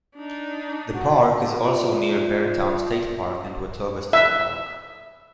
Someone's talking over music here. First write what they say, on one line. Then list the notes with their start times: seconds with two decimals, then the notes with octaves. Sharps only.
The park is also near Beartown State Park and Watoga State Park.
0.17 D4 D#4
0.94 F#4
1.60 F4 D5 E5
4.13 E5